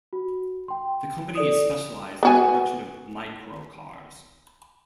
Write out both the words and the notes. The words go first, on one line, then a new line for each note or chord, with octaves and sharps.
The company is specialized in the production of microcars.
F#4
G5 C6
A4 D5 D#6
B3 F#4 G#5